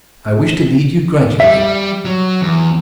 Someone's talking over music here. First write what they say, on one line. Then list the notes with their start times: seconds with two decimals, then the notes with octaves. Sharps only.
I wish to lead you gradually.
1.40 G3 E5
2.05 F#3
2.42 E2